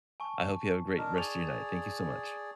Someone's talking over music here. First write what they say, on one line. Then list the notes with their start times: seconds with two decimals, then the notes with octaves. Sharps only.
I hope you have a great rest of your night, thank you so much.
0.20 G#5 A5 C#6
0.98 D4 D#4 A#4
1.16 G#4 D5 C#6 F7